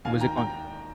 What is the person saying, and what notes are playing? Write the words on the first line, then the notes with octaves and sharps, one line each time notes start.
Was it called?
D#2 D#3 F5 G#5
G5 A#5
G5 A#5